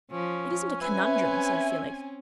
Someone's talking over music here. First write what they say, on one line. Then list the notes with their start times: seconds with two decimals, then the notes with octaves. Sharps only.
"It isn't a conundrum," said Felix.
0.11 F3 C#4
0.81 C4 C#4 B4 E5 G#5